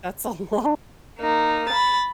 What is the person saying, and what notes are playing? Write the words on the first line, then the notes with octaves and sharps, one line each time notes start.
That's a lot.
A#3 D#4
B5 A6